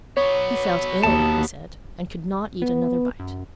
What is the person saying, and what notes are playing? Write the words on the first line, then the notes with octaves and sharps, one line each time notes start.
He felt ill, he said, and could not eat another bite.
F#3 B3 C#5
D#2 A5
B3
F#2